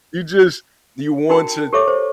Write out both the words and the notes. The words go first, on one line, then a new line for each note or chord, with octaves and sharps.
you just, you want to
D#4 F#4 A#4 G5
G4 A4 C#5 E5 D6
C5